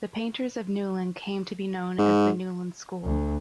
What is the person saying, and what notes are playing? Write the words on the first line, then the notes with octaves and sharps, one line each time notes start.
The painters of Newlyn came to be known as the Newlyn School.
G#2
D2